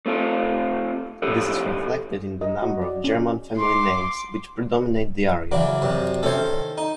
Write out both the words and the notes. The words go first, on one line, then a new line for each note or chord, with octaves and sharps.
This is reflected in the number of German family names which predominate the area.
A3 C4 F4 A4
F3 E4 G4 A4 B4
D#5
F#4
D5
C#4
C6 D6
C#3 E3 F#3 D5
F#2 C3
C3 E3 C#4 A4 C5
D#3
D#4